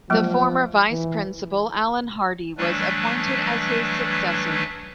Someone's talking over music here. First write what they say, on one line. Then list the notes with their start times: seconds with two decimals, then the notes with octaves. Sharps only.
The former Vice-Principal, Allan Hardy, was appointed as his successor.
0.10 F3 F#3 G#3 A#3
0.91 E3
2.57 E3 F#3 G3 A3 D4 B4